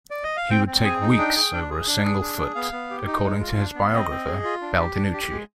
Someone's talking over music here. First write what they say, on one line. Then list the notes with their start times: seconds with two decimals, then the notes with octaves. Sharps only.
"He would take weeks over a single foot", according to his biographer Baldinucci.
0.11 D5
0.23 D#5
0.37 F5
0.50 C4 G5
0.67 C4
0.84 G#4 G#5
1.01 D#4
1.18 D4 G5
1.36 G#4
1.53 D4
1.70 G#4
1.87 D4
2.04 G#4
2.21 D4
2.38 G#4
2.55 B3 F5
2.72 B3
2.90 G4
3.07 D#4
3.24 G#3
3.41 F4
3.59 D4
3.75 B3
3.94 C4 D#5
4.10 C4
4.27 G#4
4.44 F4
4.61 D4
4.79 G4
4.96 D4
5.13 G4
5.30 G#3